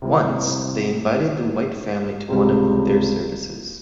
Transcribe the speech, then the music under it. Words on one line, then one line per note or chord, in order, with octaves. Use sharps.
Once they invited the white family to one of their services.
C3 G3 C4 E4
C#2 C3 G3